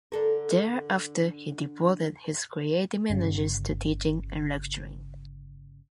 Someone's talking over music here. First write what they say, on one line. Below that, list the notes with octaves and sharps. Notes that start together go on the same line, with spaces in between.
Thereafter, he devoted his creative energies to teaching and lecturing.
D3 A4 A#4
G1 C#3